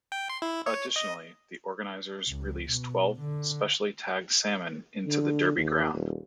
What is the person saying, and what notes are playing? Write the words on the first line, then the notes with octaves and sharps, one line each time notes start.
Additionally, the organizers release twelve specially-tagged salmon into the derby ground.
G5
C6
E4
C#5
D#5
C#2
B2
D3
D3
D#2
D#1